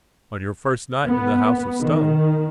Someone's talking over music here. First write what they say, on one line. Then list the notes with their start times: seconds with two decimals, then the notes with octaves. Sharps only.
"On your first night in the House of Stone."
1.07 B3
1.79 D#3